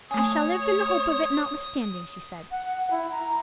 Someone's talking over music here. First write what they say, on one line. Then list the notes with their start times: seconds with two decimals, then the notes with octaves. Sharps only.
"I shall live in the hope of it, notwithstanding," she said.
0.11 A3 C#5 G#5 D#6
2.51 F#5
2.91 E4
3.11 A#5